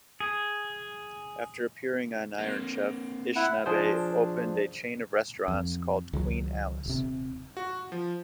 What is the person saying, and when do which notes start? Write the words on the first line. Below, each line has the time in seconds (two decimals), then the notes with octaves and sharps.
After appearing on Iron Chef, Ishinabe opened a chain of restaurants called "Queen Alice".
0.20 G#4
2.38 A#3 C4
3.36 E4 F#5
3.66 F3 D4 G#4 C5
5.48 F2
6.13 C#2 D#3 F#3
6.86 D#1 C3
7.57 F#4
7.92 F3